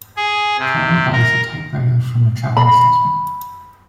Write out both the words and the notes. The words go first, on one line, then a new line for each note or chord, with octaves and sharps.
Clara buys a typewriter from a traveling salesman.
G#4
C3
A#4
B5